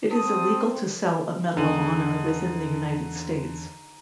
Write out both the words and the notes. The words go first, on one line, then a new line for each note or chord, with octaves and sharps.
It is illegal to sell a Medal of Honor within the United States.
C4 A5 D#6
E2 D3 D#4 G#4 A#5 D#7 F#7